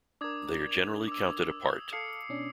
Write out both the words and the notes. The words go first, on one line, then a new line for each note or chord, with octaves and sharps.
They are generally counted apart.
D4 A#4 D6 D#6 G#6
F7
D6 E6
D#6
A4 F5 D#6 C7 C#7
B2 C#4 D4